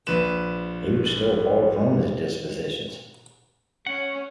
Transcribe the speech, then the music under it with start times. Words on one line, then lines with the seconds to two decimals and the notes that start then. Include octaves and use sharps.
He was still far from his dispositions.
0.07 A#1 B4 E7
3.87 C#4 F#5